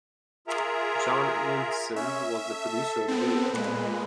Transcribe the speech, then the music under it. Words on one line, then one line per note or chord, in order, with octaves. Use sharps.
John Linson was the producer of the video.
F4 G#4 A#4 E5 A#5
C#4 E5
A4
B3 C4
A#2 G#3 B4